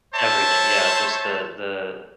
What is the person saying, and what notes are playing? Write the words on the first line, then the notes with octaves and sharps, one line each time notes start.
everything, yeah, just the the
C5 C#5 E5 A5